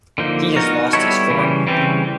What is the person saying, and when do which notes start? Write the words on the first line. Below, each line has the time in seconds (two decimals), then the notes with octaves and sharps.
He has lost his form.
0.18 D3 F3 A#3 D#4
0.55 B3 D#4 F#4 A#4
0.93 G3 B3 E4 A4 C#5
1.30 C#3 E3 G3
1.67 C#3 E3 G3 C4